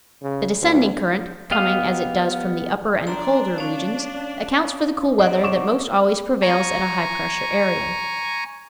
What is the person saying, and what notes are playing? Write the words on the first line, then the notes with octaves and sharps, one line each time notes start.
The descending current--coming, as it does, from the upper and colder regions--accounts for the cool weather that most always prevails at a high-pressure area.
C#3
D2
B3 G4 D#5 F5
D4 C#5 A#5 C6
C#4 C#5 F5
D#3 F3 C4 C5 D#5 F#5
C#6 D6 E7
G#5 A#5 C#6